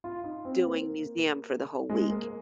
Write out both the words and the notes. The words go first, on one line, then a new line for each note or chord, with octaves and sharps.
doing museum for the whole week.
F4
D#4
C4
A#3
G#3
A#3